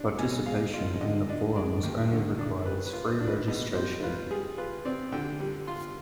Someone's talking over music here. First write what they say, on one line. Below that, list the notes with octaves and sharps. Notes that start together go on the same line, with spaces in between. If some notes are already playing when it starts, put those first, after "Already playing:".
Participation in the forums only requires free registration.
Already playing: D4
B2 G#5
G#3 F5
F4 D#5
D3 D#5
D4 D#5
G#3 D5
D#2
D3
D4
G3 B4
B4
F4
C5
D4
B4
B2 D#5
G3 C5
F4 B4
G3 G#4
F4 B4
C4 D5
D3 G5
G3
F4 C6